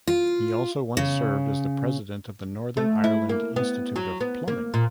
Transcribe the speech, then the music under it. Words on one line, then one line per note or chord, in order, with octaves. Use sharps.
He also once served as the President of the Northern Ireland Institute of Plumbing.
F4
C#3
A3
E4
A#3
B3
F#3
B3
A#3
A#2